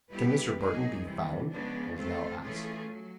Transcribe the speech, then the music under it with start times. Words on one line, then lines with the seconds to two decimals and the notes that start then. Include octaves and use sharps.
"Can Mr. Burton be found?" was now asked.
0.10 G3 B3 E4 G4 B4
0.57 F#3 A#3 D#4 G#4
1.03 C3 E3 G3
1.49 C#3 F3 G#3 B3 D4
1.96 A3 C4 F4 A4
2.42 E3 A3 C#4 F4 G#4
2.88 F#3